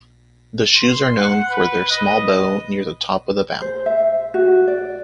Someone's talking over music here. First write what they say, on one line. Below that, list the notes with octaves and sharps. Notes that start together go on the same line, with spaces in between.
The shoes are known for their small bow near the top of the vamp.
C6
F#5
B4
D#5
C5
E5
F#4
D5